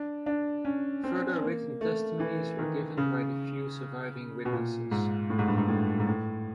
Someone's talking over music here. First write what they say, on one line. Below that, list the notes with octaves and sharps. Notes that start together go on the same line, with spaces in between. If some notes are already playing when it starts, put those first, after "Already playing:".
Further written testimonies were given by the few surviving witnesses.
Already playing: D4
D4
C#4
C4
A#3
A3
E3
D#3
C#3
B2
A#2
G#2
A2
G#2
G2
G#2
A2
G#2
A2